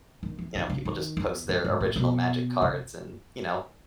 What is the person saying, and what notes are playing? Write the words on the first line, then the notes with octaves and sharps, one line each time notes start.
you know, people just post their original Magic cards, and, you know,
D#3
E3
D#3
C#3
D#3
E2
F#2
G#2
A2
B2
C#3